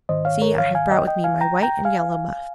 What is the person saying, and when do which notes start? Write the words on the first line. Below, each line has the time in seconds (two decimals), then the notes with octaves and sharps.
See, I have brought with me my white and yellow muff.
0.09 G#2 D#3 C5 D#5
0.25 C#5 F5
0.42 A#4 C#5
0.58 C#5 F5
0.75 F5 G#5
0.91 D#5 G5
1.07 D#5 G5
1.24 F5 G#5
1.41 G5 A#5
1.62 G5 A#5
1.85 F5 G#5